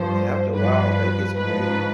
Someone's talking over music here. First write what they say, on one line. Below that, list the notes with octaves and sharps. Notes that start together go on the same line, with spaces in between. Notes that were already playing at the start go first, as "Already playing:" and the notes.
And after a while, that gets old,
Already playing: G2 F3 C5
G2 F3 B4
G#2 F3 B4